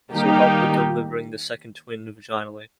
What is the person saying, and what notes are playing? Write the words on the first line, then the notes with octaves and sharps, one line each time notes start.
This will help with delivering the second twin vaginally.
D#3 G3 A#3 D#4 G4